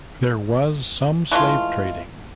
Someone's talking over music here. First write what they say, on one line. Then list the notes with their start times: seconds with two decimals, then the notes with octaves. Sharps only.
There was some slave trading.
1.32 E3 G#3 A3 F4